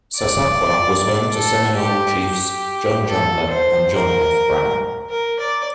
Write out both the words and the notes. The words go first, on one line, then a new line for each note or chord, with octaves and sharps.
Sasakwa was home to Seminole Chiefs John Jumper and John F. Brown.
D5
A4
G4
G4
A4
C5
A#4
A#4
D5